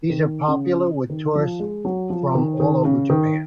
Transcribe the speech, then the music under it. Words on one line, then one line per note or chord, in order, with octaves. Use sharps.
These are popular with tourists from all over Japan.
D#3
C#3
D#3
F3
G#3
F#3
F3
D#3
D#3
C#3
D#3